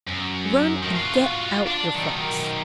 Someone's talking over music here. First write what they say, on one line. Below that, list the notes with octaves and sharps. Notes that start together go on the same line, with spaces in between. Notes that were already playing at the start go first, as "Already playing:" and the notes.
Run and get out your frocks.'
F#2
D#3 A3
F4 F#4
D4
F#2 D#3